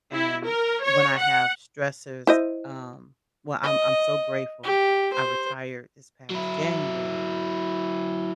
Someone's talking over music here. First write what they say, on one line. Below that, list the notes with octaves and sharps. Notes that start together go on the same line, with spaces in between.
and when I have stressors, um well, I'm I'm so grateful, I retired this past January,
E4
A#4
C#5
F#5
E4 C5 D#5
D#5
G4
C5
F#3 E4